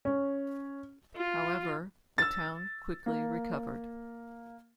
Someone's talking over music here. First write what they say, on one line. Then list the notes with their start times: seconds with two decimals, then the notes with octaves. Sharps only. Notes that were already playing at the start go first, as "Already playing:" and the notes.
However, the town quickly recovered.
0.05 C#4
1.16 F4
2.18 E6 A6
3.06 A#3